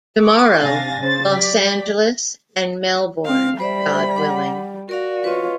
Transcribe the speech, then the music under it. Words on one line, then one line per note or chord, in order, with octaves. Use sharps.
Tomorrow, Los Angeles and Melbourne, God willing.
C#6 D6
C3 D4 F5 G#5 A6 A#6
C#3 C5 A6
F#3 G4 D5 B6
C4 F5
G3 C5 D5 E5 B5
F#5 D6
F#4 A#4 D5 F5
F4 B4 C#5 D#5